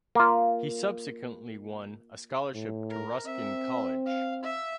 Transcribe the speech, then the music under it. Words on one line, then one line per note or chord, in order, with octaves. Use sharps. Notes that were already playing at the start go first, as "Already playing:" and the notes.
He subsequently won a scholarship to Ruskin College.
A#3 F4
A2
A#4
C4 E5
F5
E5